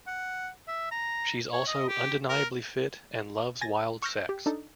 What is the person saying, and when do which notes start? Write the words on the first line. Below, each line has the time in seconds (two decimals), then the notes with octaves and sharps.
She's also undeniably fit and loves wild sex.
0.07 F#5
0.68 E5
0.91 A#5
1.53 C#5
1.67 D#5
1.88 G4
2.29 A#4
3.61 G#5 A6 A#6
4.02 C#6 E6 F6 G6 A#6 D7
4.29 G4
4.46 D4 D#4 A4